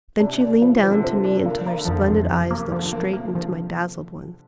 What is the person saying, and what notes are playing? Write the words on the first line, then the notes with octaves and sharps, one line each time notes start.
Then she leaned down to me until her splendid eyes looked straight into my dazzled ones.
C3 D4
D4
F3
D3 F3
C3
D3 F3
D4
D3 A#3
A#3
D3
F2 F3
D3
F2 C3
F3
A#3
D3 F3
A#3
C3
A#3
D3 F3